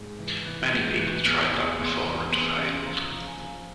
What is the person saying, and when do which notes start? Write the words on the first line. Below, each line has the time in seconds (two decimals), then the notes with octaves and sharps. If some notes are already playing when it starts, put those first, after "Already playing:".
Many people tried that before and failed.
Already playing: G#2
0.19 E3
0.45 E3 F#6
0.72 G#2 G6
0.95 G6
0.99 E3 F#6
1.25 E2 F6
1.45 E6
1.52 E2
1.65 D#6
1.79 E2
1.86 C6
2.05 E3 B5
2.31 E2 C6
2.58 C#3 C6
2.85 F3 A#5
3.11 F3
3.25 G#5
3.37 F3